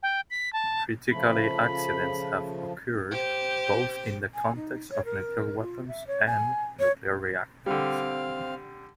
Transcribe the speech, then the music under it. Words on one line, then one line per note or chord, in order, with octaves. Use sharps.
Criticality accidents have occurred both in the context of nuclear weapons and nuclear reactors.
G5
B6
A5
C#3 F3 A3 B5
G4 C5
G#5
D#4
C#5
A#4
F4
E5
C#5
G#5
C#5
D3 G3 C4 F5